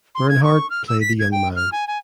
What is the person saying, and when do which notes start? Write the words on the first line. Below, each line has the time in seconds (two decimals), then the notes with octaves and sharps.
Bernhardt played the young man.
0.15 C6
0.29 G#6
0.44 C#6
0.70 F6
0.88 E6
1.01 B6
1.19 G#6
1.32 G5
1.56 F6
1.72 G#5
1.88 G#5